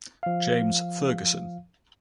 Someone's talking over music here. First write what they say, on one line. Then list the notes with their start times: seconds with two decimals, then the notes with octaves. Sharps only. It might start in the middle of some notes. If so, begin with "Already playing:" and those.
James Fergusson.
0.23 F3 F5